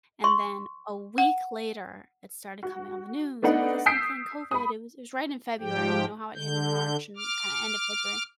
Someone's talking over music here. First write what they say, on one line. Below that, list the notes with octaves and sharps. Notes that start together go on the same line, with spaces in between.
and then a week later, it started coming on the news, "Oh, this new thing, COVID," it was it was right in February, and you know how it hit in March and kinda end of February.
C6 C#6
F#5
F#4
A3 B3 D4 D#4 F#5
D#6 E6 G6 B6 C7 D7
B5 D#6
G#2 F3 G4 G5
D3 G6
D6 F6